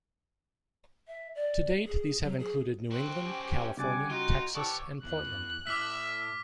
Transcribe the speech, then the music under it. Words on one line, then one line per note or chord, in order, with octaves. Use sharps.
To date these have included New England, California, Texas, and Portland.
E5
D5
G#4
F#3
G#4
C4 F#4
C#4 G4
C#3 G3 F#5 G#5 D6 A6
D#4 F4 F#4
G4 C#5 D5 F#5 A5 C#6 D6 E6
E2 F#6
A2 E5 D6 F6 B6